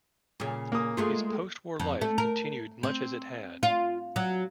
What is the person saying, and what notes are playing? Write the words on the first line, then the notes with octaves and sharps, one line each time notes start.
His post-war life continued much as it had.
A#2 C#3
A#3 D#6
G#3 A3 F4
F2
A3
A#4
C4
F4
F#3